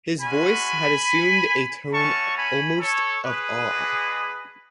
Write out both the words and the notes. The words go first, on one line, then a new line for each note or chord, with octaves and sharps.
His voice had assumed a tone almost of awe.
G#3 C#4 F#4 G#5 B5
A3 C#4 F#4 A5 C#6
G#5 B5
A4 C#5
G#4 B4
G#3 D4 F#4